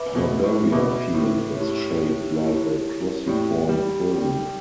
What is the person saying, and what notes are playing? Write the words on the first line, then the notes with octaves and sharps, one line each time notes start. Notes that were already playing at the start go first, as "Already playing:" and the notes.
Her barrier field is shaped like a cruciform prism.
Already playing: B4 E5 B5 D6
B2
A2
B2 B4 E5 B5 D6
A2
E4 G4 C#5
E4 G4 C#5
A2 G4 D5 G5
G3
G4 D5 G5